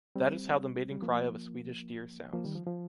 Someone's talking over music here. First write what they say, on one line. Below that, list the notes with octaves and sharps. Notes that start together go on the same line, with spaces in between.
That is how the mating cry of a Swedish deer sounds.
G3 C4
G3
F3 A#3
F3 A#3
D#3 G3
F3
F3